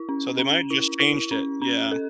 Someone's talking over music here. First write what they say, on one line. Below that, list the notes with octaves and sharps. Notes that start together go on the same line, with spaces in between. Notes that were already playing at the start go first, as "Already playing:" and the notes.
so they might've just changed it. Yeah.
Already playing: E4
C#4
C#4
E4
E4
C#4
C#4
A4